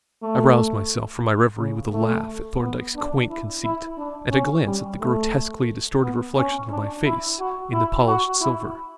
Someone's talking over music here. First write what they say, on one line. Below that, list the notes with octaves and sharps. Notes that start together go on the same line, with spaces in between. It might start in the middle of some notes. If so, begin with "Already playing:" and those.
I roused myself from my reverie with a laugh at Thorndyke's quaint conceit and a glance at the grotesquely distorted reflection of my face in the polished silver.
A3
C#3
A3
B3
D4
E4
E4
D4
C#4
G3
A3
B3
C#4
D4
E4
F#4
E4
F#4
E4